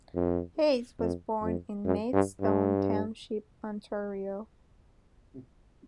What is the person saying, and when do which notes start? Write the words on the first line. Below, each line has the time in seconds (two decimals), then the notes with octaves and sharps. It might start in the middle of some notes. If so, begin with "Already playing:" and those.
Hayes was born in Maidstone Township, Ontario.
0.15 F2
1.00 F2
1.42 F2
1.85 F#2
2.13 G2
2.41 G2